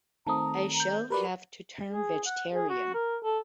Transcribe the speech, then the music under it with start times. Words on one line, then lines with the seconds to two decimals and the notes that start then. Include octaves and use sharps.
I shall have to turn vegetarian.
0.27 D#3 A3 C4 A5 A#5 D#6
0.80 G6
1.10 F#4 G4 A#4 B4 D5 B5
1.91 G#4
2.26 F#5
2.54 G#4
2.69 F#4
2.94 A#4
3.23 A4